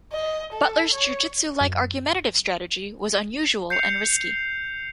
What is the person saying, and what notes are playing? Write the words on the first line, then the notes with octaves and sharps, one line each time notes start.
Butler's jiu-jitsu-like argumentative strategy was unusual and risky.
D#5
A4
C#5
F#2
G6 C7 C#7 F7